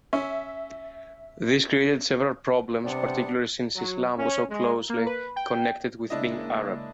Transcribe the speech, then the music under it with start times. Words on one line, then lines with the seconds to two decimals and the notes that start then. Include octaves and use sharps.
This created several problems, particularly since Islam was so closely connected with being Arab.
0.13 C#4 E5
2.85 C3 G3 B3 C4 D4 D5 F#5
3.75 F#3
4.18 C#4
4.50 G#3
4.89 A#3
5.06 B4
5.36 G5
6.10 C#3 G#3 A#3 D4 E4 D#5